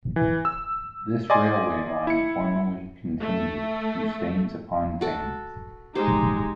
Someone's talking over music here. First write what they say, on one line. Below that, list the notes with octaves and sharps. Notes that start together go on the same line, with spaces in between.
This railway line formerly continued to Staines-upon-Thames.
E3
E6
D5 D#5 G#5 C6
E4 C#7
A3
F#4 A4
G#3 D#4 G4 C5